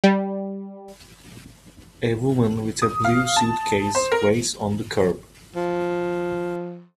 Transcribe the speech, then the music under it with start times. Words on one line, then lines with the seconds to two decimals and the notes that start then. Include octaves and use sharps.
A woman with a blue suitcase waits on the curb.
0.04 G3
2.82 D#6
3.04 F5
3.36 A5
3.95 C5
4.12 A#4
5.56 F3